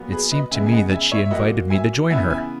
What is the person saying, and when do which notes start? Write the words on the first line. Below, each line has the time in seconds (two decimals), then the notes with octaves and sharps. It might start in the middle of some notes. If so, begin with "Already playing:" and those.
It seemed to me that she invited me to join her.
Already playing: A#2 F#3 B3
0.12 G#4 B4
0.31 B4 D#5
0.51 C#3 E5 G#5
0.54 G#3 B3
0.66 G#5
0.72 D#5 F#5
0.92 E5 G#5
1.11 C#5 E5
1.26 E5
1.31 A#2 F#3 A#3 D#5 F#5
1.70 E5 G#5
2.10 C#3 E3 B3 E5 G#5
2.30 E5 G#5